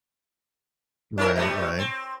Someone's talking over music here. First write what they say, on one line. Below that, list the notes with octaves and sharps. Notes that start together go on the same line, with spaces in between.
Right, right.
C#4 E4 A#4
B2 G3 A3
C4